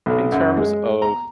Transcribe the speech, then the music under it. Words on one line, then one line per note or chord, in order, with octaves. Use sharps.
In terms of
B1
F#2
G#3
A#5